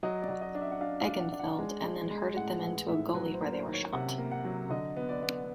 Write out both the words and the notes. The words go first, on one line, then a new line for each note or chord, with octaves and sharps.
Eggenfeld and then herded them into a gully, where they were shot.
F#3 D#5
D5
F#3
D#5
D4
E5
F#5
D4 F5
F5
D4
F#5
D4
F#5
G#3
G#3
G#3
A2 F#5
E3 F#5
A2 E5
F#3 B4
C5
A#3
C5
D#3
C#5
C3 F#5
A#3
F#5
F#3
D3 D#5
B3
D5
B3